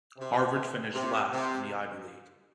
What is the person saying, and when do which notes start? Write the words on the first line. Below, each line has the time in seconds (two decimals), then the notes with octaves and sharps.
Harvard finished last in the Ivy League.
0.18 C3
0.94 C3
1.32 C3